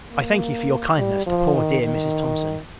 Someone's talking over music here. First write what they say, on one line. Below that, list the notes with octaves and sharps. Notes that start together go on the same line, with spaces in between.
I thank you for your kindness to poor dear Mrs. Thomson.
A#3
G3
F3
D#3
D#3